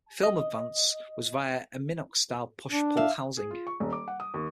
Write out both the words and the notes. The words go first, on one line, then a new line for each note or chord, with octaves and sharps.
Film advance was via a Minox-style push-pull housing.
D#5
D4
E5 F5
G#4
F4
C#6
D#1
D6
F#5
D#6
D#2